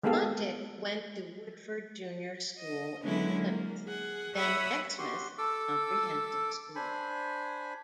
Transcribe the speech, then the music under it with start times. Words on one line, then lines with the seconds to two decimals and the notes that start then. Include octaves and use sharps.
Quantick went to Woodford Junior School in Plymouth, then Exmouth Comprehensive School.
0.03 G#3 A#3 B3 G4 A4 F5
2.59 D#5
3.03 D3 F#3 G#3 B3 C#4 E4
3.37 A#3
3.86 G#4 F#5
4.35 C#5 E5 F#5 B5 D#6 E6
4.98 F#4 G4 C6
5.38 A4 D6 E6
6.76 D4 C5 G#5 B5